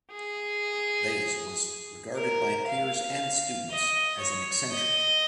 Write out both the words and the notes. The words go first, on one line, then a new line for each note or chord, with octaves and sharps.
Vaze was regarded by peers and students as an eccentric.
G#4
A#4
F5
D#5
C#5
D#5